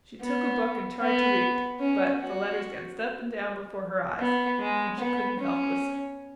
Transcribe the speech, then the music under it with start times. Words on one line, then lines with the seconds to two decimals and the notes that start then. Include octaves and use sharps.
She took a book and tried to read, but the letters danced up and down before her eyes, and she couldn't help listening.
0.21 B3
1.01 B3
1.80 C#4
2.21 F#4
4.19 B3
4.60 G#3
4.99 B3
5.39 C#4